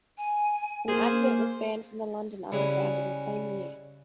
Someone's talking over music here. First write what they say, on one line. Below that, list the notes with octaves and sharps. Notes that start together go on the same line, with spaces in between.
An advert was banned from the London Underground in the same year.
G#5
A#3 G#4 A#4 C5
C#3 G3 G#3 E4 B4 D#6